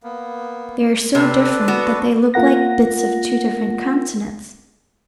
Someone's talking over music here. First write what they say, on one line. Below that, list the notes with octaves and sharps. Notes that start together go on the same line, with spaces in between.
They are so different, that they look like bits of two different continents.
A#3 B3
C3 D4 A4 B4
B3 F#4
A#3 F4 A#4 F#5 A#6